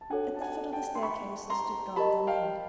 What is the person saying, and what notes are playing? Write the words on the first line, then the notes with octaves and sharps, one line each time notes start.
At the foot of the staircase stood Garth Dalmain.
A5
D4 F#4 A4 C#5 F#5 G#5
A5
F#5 G#5
G5 A5
C6
B5 C#6
A#5 C6
G4 A#4 D#5 A5 B5
F5 G5